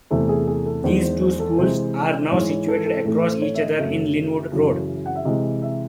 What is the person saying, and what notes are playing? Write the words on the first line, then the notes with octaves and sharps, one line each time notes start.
These two schools are now situated across each other in Lynnwood Road.
E2 C3 E3 A3 C5
G#4
G#4
A4
E2 D#3 G#3 C5
C5
C5
A4
C3 E3 G#3 C5
G#2 E3 G#3 C#5
C#5
A4
A4
A2 E3 A3 A4
C5
C#5
E5
D#5
F#2 C#3 F#3 A3 E5
F#2 C#3 E3
F#5
E5
C3 E3 G#3 D#5
E5